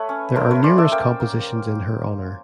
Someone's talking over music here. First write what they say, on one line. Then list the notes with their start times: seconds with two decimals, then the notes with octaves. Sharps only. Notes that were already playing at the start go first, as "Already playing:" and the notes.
There are numerous compositions in her honour.
Already playing: A3 B4 C#5
0.09 C#4
0.36 A3 A#4 C5
0.51 B4 C#5
0.63 C#4 C5 D5
0.78 D5 E5
0.91 A#3 F5 G5
1.20 A#3